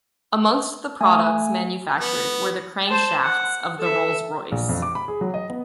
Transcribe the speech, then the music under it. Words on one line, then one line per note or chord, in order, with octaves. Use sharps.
Amongst the products manufactured were the crankshafts of the Rolls Royce.
A3 G#5
B3
C5 A5
F#5
A4 E5
A#1
F2
D6
B5
G#4
F#3
D#5
B3